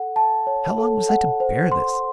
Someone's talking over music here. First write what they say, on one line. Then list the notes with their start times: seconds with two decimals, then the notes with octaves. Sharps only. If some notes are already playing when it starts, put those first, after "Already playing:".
How long was I to bear this?
Already playing: A4 F#5
0.16 A5
0.47 C#5
0.78 A4
1.09 F#5
1.40 C5
1.72 C6